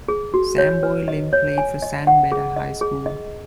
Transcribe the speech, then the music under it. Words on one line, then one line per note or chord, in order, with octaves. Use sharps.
Samboy Lim played for San Beda High School.
G#4
F#4
C#5
B4
D#5
C#5
G#5
D#5
F#5
G#4
D#5
G#4
D#5